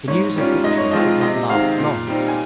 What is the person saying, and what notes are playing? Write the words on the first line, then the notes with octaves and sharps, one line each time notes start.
The news of victory did not last long.
G#2 C#5
G3 C#4 F4
G#2 D#5
C#5
F3 G#3 C4 F4 D#5
C3 D#5
D#3 G#3 C4 F5
A#2
G3 C4 D#4
G#5